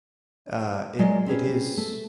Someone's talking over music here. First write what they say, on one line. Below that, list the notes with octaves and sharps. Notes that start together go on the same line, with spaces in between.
uh, it it is,
A#2 F#3 G#3 A#4 D5 D#5
C4 C#4 G#4 B4
A3